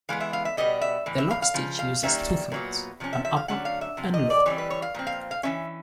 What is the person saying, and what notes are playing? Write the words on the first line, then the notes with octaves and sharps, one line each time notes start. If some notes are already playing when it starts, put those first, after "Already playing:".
The lockstitch uses two threads, an upper and a lower.
E3 G#3 B3 F5
E5
F5
E5
B2 G3 B3 D#5
E5
A2 E3
E5
F5
F5
C#3 F3
F5
D#3 G3 A#3 C#4 E5
A#2 F#3 B3
C3 F3 C#4
E5
E5
F5
D3 F#3 A3 C#4 F#5
F5
E5
C3 F3
D#5
D5
E3 G3 C4 C#5
B4
C#5
F5
A#2 F3 C4
F5
F5
E3 A3 C#4 E5